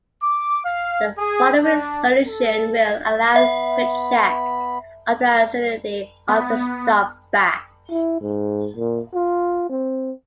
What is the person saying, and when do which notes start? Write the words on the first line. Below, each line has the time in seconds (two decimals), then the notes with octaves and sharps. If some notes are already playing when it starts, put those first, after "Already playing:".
The following solution will allow quick check of the acidity of the stop bath.
0.22 D6
0.65 F5
1.18 G#4
1.62 D4
2.26 A4
3.36 B3 E5 B5
6.29 B3
7.90 E4
8.21 G#2
8.76 A#2
9.15 F4
9.69 C4